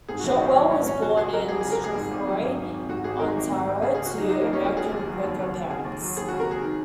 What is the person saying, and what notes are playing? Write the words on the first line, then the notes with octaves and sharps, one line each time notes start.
Shotwell was born in Strathroy, Ontario, to American Quaker parents.
G#2 G#4
A#1 F#4
D#4
D#3 C#4 D#4
F#3 C#4
G#2 C#4
A#1 C#4
C#3 F#4
C#2 G#4
F#3 A#4
C#2 G#4
C#3 G#4
A#4
C#2 G#4
G#2
G#1
F#3
G#1
G#2
G#1
G#2 F#4
G#1 G#4
D#3 A#4
G#1
G#2
G#1
C#3 G#4
C#2 G#4
F#4
F#3 D#4
C#2 D#4
C#3 A#3
C#4
C#2 F#4
C#3 G#4
D#2
F#3
D#2
C#3
D#2
C#3 G#4
D#2
F#3
D#2 G#4
C#3 F#4
A#4
D#2 G#4
D#3